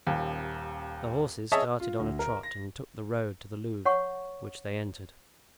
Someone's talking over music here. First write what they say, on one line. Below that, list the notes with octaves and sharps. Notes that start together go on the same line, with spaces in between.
The horses started on a trot and took the road to the Louvre, which they entered.
D#1 D#2
G#4 C#5 D#5 E5 A5
F4
D2
A#4
A#6
C#5 F#5 C#6